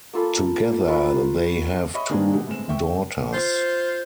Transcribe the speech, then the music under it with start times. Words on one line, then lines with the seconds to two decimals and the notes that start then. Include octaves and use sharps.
Together they have two daughters.
0.13 A#3 F4 A4 B5
0.88 F4 A#4 B4 C#6
1.94 C#5 D#5 E5 B5 C#6
2.10 D#3 G#3 A#3 C4 D4 G#4
2.33 B2 G3
2.47 G1 A2 G#3 C4 E7
2.69 E5 G5 C#6
3.32 F4 C5